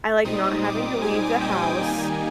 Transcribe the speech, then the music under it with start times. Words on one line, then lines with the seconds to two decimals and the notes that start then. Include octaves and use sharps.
I like not having to leave the house,
0.24 A#2 G3 C4 D#4 D#6
0.64 D6
1.02 G#5
1.41 G5
1.80 D#3 G3 A#3 D#4 G#5